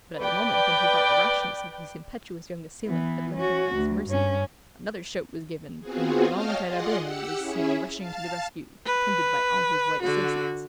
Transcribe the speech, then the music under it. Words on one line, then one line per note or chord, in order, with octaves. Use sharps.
But at the moment when he thought the rashness of his impetuous young assailant had left him at his mercy, another shout was given, and La Longue Carabine was seen rushing to the rescue, attended by all his white associates.
B4 D5 G5
E3 B3
C#4 F#4
D2
G2 C#4
B3 C4 F4 F#4 G#4
C#5 D#5 F5 G5 A5 F6
F4 G#4 D5 D#5 F#5 C6
G4 F#5 E6 C#7
C#4 E4 G#4 E5
F5 A5 A6
B4
D3 F#4